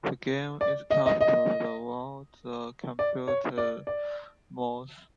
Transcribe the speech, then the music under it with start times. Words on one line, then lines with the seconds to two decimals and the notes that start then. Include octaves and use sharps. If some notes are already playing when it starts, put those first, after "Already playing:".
The game is controlled via the computer's mouse.
0.61 D5
0.90 D#5
1.06 D#5
1.21 D#5
2.99 D5
3.28 C#5
3.58 D5
3.87 D5